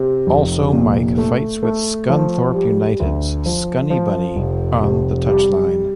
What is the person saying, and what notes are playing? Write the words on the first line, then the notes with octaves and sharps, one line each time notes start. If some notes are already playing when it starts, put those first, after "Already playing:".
Also Mike fights with Scunthorpe United's Scunny Bunny on the touchline.
Already playing: C3
F1
A#2
A3
A3
F3
G3
D2
F3
F3
F1
C3
G3